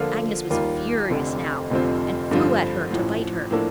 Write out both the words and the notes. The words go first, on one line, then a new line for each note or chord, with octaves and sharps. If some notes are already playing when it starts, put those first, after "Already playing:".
Agnes was furious now, and flew at her to bite her.
Already playing: D3 F3 A#3 F4 A4
D#2 D#3 G3 A#3 F4
F1 F2 D3
F1 F2 D3 F3 C4
G2 D3 F3 C4 F4
A1 A2 F3
A2 F3 A#3 D4 A4